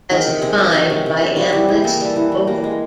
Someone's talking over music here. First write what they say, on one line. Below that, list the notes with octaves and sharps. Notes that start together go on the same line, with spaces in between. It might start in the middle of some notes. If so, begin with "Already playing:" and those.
As defined by analyst Ovum.
D#3 G#4
C3
C3 G#4
F#3
D#3 F#4
C3
C3
F#3
G3 F#4
E3 G4
E3 G#4
A#3 A4
G3 A4
E3
E3
A#3
G#3